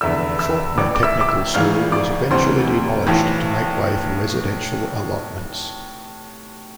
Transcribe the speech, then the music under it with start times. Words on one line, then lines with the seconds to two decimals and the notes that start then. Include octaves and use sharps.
Fawkner Technical School was eventually demolished to make way for residential allotments.
0.01 F1 E2 D3 E5 E6
0.39 E5 E6
0.77 A1 A2 E3 D5 D6
0.95 D6
1.03 E5 E6
1.21 D6
1.29 E5 E6
1.54 G#1 G#2 E3 F5 F6
1.92 D5 D6
2.31 D2 C3 E3 C5 C6
3.07 B1 A2 E3